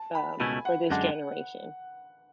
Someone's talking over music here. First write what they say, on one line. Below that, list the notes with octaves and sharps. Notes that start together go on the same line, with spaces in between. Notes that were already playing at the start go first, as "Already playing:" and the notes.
um, for this generation.
Already playing: A5
B5
C#2 B2 A3 C#4 E4 G#5
F#5
F#2 D3 G#3 D4 F#5